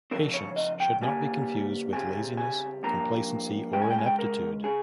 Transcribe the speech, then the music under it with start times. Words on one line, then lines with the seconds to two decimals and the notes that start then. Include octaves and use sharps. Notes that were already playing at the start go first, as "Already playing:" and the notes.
Patience should not be confused with laziness, complacency or inaptitude.
0.11 C#3 F3 C4 A#4
0.34 C#5
0.56 D#5
0.80 G5
1.01 C#3 G3 A#3 G#5
1.93 C#3 G3 C4 G#5
2.37 G#5
2.83 G2 F3 A#3 A#5
3.73 C#3 G#3 C#4 G5
3.82 G#5
3.90 G5
3.98 G#5
4.06 G5
4.19 A#4
4.64 C#3 G#4